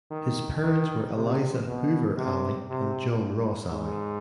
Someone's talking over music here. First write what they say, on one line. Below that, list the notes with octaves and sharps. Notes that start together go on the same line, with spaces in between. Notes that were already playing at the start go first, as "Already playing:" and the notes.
His parents were Eliza "Hoover" Alley and John Ross Alley.
D#3
D#3
C3
B2
C3
C3
G#2